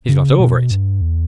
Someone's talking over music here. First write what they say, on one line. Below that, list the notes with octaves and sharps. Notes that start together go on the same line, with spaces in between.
He's got over it.
C#3
B2
G2
E2